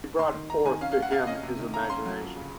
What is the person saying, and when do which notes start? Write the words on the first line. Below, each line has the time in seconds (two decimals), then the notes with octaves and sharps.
She brought forth to him his imaginations.
0.19 D#3 C6
0.34 D#3
0.49 D#4 A#5
0.65 D#3 G#5
0.81 C#4 F5
0.92 F5
0.97 C#4
1.02 F#5
1.12 C3 F5
1.27 C#4 D#5
1.43 C3
1.59 D#3
1.74 A#3 A#5
1.89 C#4 C6
2.05 F#3
2.21 F2
2.36 C#3